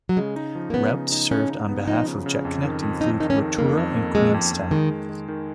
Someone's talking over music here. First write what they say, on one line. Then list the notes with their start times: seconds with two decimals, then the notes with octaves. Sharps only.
Routes served on behalf of Jetconnect included Rotorua and Queenstown.
0.09 F#3
0.17 C#3 G#3
0.36 D#4
0.55 F3
0.70 A#3
0.74 C#3 B3
0.93 C#3
1.12 D#4
1.31 C#3 C#4
1.50 D#4
1.69 B3
1.88 F3 D#4
2.07 C#3
2.26 C#3
2.45 F2
2.63 D#3
2.82 F2
3.01 F2 D#4
3.20 D#3 D#4
3.30 C#4
3.39 D#3
3.58 F2 A#3
3.77 F2
3.96 A#3
4.15 F2 G#3
4.34 F2
4.53 F2
4.71 D#3 G#3
4.91 D#3
5.09 D#3
5.28 D#3